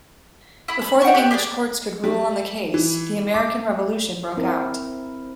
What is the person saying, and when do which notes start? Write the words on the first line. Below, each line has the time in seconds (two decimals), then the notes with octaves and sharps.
Before the English courts could rule on the case, the American Revolution broke out.
0.68 E4 B5
0.82 B5
1.02 F#5 G5 C#6
1.15 G4 G5 F#6
1.31 G4 G#4 C5 D5
2.04 G3
2.74 E3
3.34 D6
4.37 C4 E4 A#4